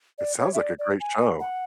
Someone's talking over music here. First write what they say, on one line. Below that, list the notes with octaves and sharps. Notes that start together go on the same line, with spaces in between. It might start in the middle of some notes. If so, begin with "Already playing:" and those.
It sounds like a great show.
D5
C#5
E5
D5
D5
G#5
F#5